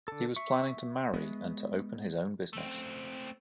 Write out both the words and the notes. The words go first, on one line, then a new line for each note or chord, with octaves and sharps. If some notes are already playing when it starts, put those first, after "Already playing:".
He was planning to marry, and to open his own business.
D3 A4
E5 C#6
G#3 B3
A3 C4